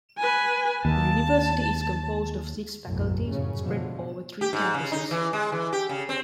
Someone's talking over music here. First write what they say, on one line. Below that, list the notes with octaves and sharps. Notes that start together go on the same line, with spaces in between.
The university is composed of six faculties, spread over three campuses.
B4 G#5
D#2 A5
F#1 B1 E2 A2 F#3
F1 F#2 A2 C#3 C#4
B2 D3 F3
G4
G#2
C#3
D#4
E3
G#3
E3
G4
C#3
C4